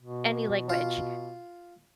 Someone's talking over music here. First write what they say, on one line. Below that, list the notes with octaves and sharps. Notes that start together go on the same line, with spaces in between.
any language,
B2
F4